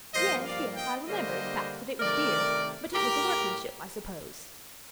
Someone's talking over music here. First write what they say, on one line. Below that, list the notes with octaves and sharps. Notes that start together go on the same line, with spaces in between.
"Yes, yes; I remember, in fact, that it was dear; but it was the workmanship, I suppose?"
G2 F3 A#3 C5 D#5
D5 F5
D#5 G5
D3 G3 A#3 D4 C5 D#5
C3 D#3 A3 A#4 D5
A2 G4 A#4